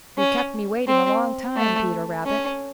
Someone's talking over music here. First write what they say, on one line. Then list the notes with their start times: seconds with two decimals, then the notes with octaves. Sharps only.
You've kept me waiting a long time, Peter Rabbit.
0.18 C#4
0.88 C4
1.56 A3
2.26 C#4